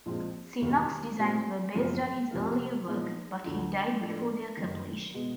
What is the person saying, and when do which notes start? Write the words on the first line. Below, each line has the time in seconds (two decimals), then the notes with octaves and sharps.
Sinnock's designs were based on his earlier work, but he died before their completion.
0.06 A#1 A#2 F3 G#3 C4
0.61 E1 D#2 D#3 F#3 A#3
1.19 A#2 G3 C4
1.75 G#1 F#2 C#3 F3
2.31 C2 C3 F3 A#3
2.88 A#2 F3 G#3 B3 D#4
3.44 D2 D3 F3
4.00 A2 F3 A3 D4
4.57 F#1 F#2 D#3
5.14 B2 G#3 B3